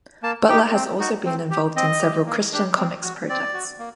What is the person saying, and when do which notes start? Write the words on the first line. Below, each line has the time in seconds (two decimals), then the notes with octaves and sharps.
Butler has also been involved in several Christian comics projects.
0.23 A#3 A5
0.48 D#4 G4 G5
0.74 C4
1.00 D#4 F#4
1.25 C4
1.51 G4
1.76 C4 D#5
2.01 G4
2.26 A#3
2.52 D4 G4
2.77 C4
3.03 F#4
3.29 C4 D5
3.54 F#4
3.79 A#3